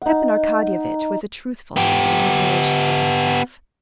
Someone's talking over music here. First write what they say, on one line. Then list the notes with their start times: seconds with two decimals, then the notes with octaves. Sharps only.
Stepan Arkadyevitch was a truthful man in his relations with himself.
0.02 D#4 F#5
1.76 B3 G4